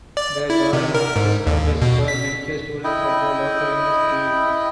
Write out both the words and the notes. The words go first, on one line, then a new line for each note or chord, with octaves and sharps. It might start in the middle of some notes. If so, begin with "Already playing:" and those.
The garden was established for medical students at the local university.
D5
E4
C3
A#4
G#2
D#2
B2
B6
E4 D#5 G5